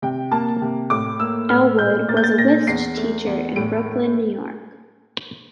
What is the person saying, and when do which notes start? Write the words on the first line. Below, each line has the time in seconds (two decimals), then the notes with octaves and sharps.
Elwood was a whist teacher in Brooklyn, New York.
0.02 C3 G5
0.31 A#3 A5
0.62 C3
0.90 A2 D6
1.20 A#3 E6
1.49 A2 F6
1.79 A#2 G6
2.09 A#3 A6
2.17 G6
2.24 A6
2.38 A#2 A#6
2.67 E2 C7
2.97 A3
3.26 E2
3.56 A2 D7
3.86 A3